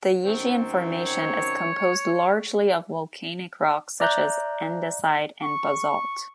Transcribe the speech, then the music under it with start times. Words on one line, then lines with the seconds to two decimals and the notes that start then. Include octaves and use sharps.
The Yixian Formation is composed largely of volcanic rocks such as andesite and basalt.
0.24 F#2 D#3 C4
1.06 C#5
4.00 D5 E5 A#5 D6 F#6 G6
5.42 C#6